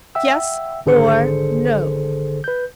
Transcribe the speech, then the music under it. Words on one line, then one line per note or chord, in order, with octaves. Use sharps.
"Yes, or no?"
E5 F#5 G5 E6
G#1 D3 G#4 A4 C5 C#7
B4 G6